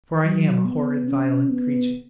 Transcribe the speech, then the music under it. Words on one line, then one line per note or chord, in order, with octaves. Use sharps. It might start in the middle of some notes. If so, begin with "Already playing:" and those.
For I am a horrid, violent creature.
F#3
B3
C#4
B3